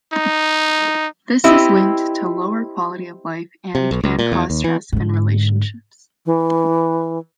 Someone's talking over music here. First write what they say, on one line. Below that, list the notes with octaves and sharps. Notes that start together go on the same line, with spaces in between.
This is linked to lower quality of life and can cause stress in relationships.
D#4
C4 E4 G4 D#5
C3
B1
C#2
A#2
E2
D#2
E3
G#2 D3
E3